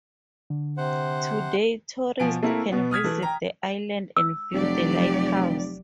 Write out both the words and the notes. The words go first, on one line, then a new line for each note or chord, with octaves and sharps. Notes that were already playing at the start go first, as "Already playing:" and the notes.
Today, tourists can visit the island and view the lighthouse.
D3
C3 C5 F#5
B2 F3 G#5 D7
A3 A#3 C4 E4 A#4
B2 B3
D#6 F6 G#6 B6
E3 A3
G5 A#5
E6
F1 F#3 G4 D5